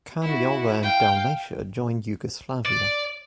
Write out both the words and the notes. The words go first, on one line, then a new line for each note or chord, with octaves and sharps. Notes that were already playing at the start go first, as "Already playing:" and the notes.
Carniola and Dalmatia joined Yugoslavia.
E4 F#4
F5 G5
D5